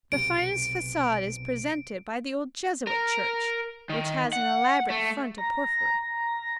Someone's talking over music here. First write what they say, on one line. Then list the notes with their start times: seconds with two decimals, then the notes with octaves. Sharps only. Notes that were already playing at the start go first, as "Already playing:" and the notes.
The finest facade is presented by the old Jesuit church, which has an elaborate front of porphyry.
0.12 B1 C3 D7
2.87 A#4
3.89 D#3
4.33 F#5
4.90 A3
5.38 A#5